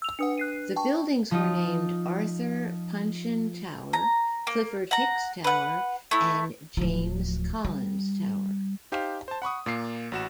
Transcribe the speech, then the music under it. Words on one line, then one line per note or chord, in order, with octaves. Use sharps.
The buildings were named Arthur Punshion Tower, Clifford Hicks Tower, and James Collins Tower.
E6 F7
D4 B4 F#5 D#6 C#7
F#6 C7 D#7
G5 A5 C#6
F3 D#4 F4
A#5
A#3
F#5 A#5
B4 F#5
A3 E4
D1 F3
G3
D#4 G4 C5 F5
C5 A5
F#5 B5 C#6 D#6
A#2 A#3 C7
A1 F#4 E7